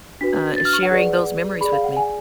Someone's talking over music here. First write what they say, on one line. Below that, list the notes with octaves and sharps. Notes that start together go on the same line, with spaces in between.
uh, sharing those memories with me.
D4 F#4 B4 B6
A6
F6
C#6
F#5
G#4 B4 D5
G#4 D5 B5
F5
F#5
G#5